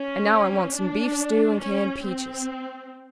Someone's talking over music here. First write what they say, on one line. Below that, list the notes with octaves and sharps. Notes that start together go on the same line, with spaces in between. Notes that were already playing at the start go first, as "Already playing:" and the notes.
And now I want some beef stew and canned peaches.
Already playing: C#4
D4
C#4
C4